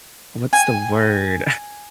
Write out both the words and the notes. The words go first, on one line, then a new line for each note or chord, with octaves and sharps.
what's the word?
G#5